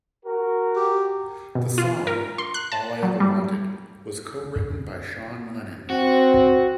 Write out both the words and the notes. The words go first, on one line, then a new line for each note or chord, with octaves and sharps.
The song "All I Ever Wanted" was co-written by Sean Lennon.
F#4 A#4
G4
B2
F4
A#4
C6
F#6
A5
F#3
G3
C4 F#4